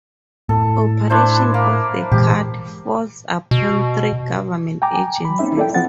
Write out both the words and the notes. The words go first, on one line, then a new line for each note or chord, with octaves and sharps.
Operation of the cut falls upon three government agencies.
A2 A4
D4 E4 C5
A#3
A#2 E3 G#3 G4
B2
G5 G#5 A#5 D6
F#3 B5
A#3 C4 C#4 D#4 E5
A#3 E4 A4 D5 E5 G5
F3 C4 F#5 A6